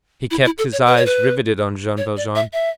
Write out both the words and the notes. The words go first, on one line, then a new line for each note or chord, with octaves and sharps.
He kept his eyes riveted on Jean Valjean.
E4
E4
A4
C#5
B4
C#5
B4
C#5
D5
E5
E5